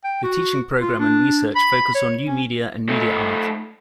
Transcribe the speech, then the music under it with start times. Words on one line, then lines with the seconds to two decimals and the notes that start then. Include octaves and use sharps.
The teaching programme and research focus on new media and media art.
0.04 G5
0.24 F#4
0.80 F4
0.99 D4
1.56 B5
1.95 C#5
2.26 C#4
2.89 A3 D#4